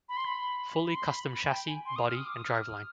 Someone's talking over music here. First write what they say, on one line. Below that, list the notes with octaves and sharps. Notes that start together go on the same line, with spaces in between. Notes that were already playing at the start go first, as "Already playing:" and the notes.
Fully custom chassis, body and drive-line.
B5
C6
B5
B5
C6
B5
B5
G5
G#5
C6
D#6
F6
D#6
D6
D#6
F6
F6